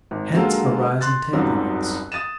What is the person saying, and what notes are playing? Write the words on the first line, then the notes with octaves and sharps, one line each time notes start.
Hence arise entanglements.
G#1
D3 F#3 G#3 A#3 F4 A4
C6 F#6 A6
F#1 C#2 G#2 F#3 G3 C4
D#6 A6 D#7 E7